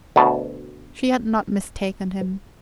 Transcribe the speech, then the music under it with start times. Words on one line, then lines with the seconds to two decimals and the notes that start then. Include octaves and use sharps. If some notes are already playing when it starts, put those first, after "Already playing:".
She had not mistaken him.
0.16 D2 B2 A5